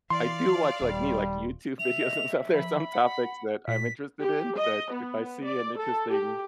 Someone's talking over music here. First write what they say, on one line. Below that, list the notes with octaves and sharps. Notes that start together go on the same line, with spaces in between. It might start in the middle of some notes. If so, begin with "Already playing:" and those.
I do watch, like, me, like, YouTube videos and stuff, there are some topics that I'm interested in that if I see an interesting
E3 D5 F5 C6
D#1 G3
E5 F7
D#5
F3 B5
F#5
A#2 B6
G4
D#5
B3
D5
A4
G4